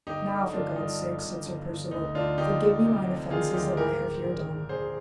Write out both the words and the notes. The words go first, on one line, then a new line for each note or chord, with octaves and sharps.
Now for God's sake, said Sir Percivale, forgive me mine offences that I have here done.
G1 D#4 G4
D3
G1 D4 F4
G2 D#4
G1
G1
G1
G1
D2 D#4
D2 D4 F4
D2 D#4 G4
D2
C3
C3
D#3 F4 G#4
D2 D#4 G4
G#2 G4 A#4
G#2
A#1
A#1
A#1 G#4 C5